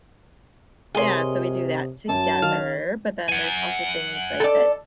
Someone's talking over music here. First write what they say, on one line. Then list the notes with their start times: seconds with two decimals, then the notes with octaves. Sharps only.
yeah, so we do that together, but then there's also things, like, that
0.95 C3 G#4 A#4 C#5 D#5 C6
2.09 F#2 F#3 A5
2.42 D#3 F5
3.29 F#5 G#5
4.40 A4 D5